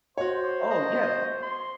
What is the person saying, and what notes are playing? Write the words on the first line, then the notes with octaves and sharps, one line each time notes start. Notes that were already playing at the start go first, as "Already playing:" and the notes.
Oh, yeah.
F#4 C5 C#5
D#5
C6